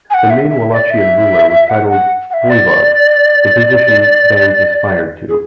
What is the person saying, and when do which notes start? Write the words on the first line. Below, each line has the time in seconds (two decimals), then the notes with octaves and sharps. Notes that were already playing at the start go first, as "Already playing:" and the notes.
The main Wallachian ruler was titled voivod, the position bans aspired to.
0.10 G#5
0.14 F#5
0.30 E5
0.50 E5
0.70 E5
0.74 D5
0.90 E5
1.69 F#5
1.90 F#5
2.30 F#5
2.34 E5
2.49 D5
5.29 G#4